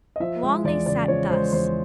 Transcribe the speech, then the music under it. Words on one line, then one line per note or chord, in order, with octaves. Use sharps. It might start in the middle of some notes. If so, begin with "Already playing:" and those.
Long they sat thus.
D#5
F3 E5
G#3
E2 D5
C#3 D5
F3 C#5
G#3 C5
E2 C5